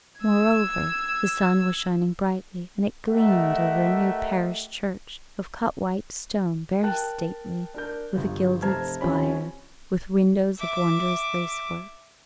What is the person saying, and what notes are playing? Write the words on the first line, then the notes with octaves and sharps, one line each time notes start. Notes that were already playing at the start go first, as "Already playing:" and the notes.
Moreover, the sun was shining brightly, and it gleamed over a new parish church, of cut white stone, very stately, with a gilded spire, with windows of wondrous lacework.
E6 G#6
A3 G4 A#4 D#5 E5 F#5
A#4 G5 A5 F#6
D4 A#4 G6
G1 F4
F1 C5 A5 A#5 F6 G#6
D#1 F3 C4 C#4 E4 B5
E5 D6